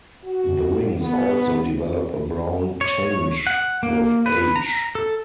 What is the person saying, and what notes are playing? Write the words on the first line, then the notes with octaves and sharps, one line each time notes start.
The wings also develop a brown tinge with age.
F#4
B3
C#5
F#5
A#3
B4
A#5
A4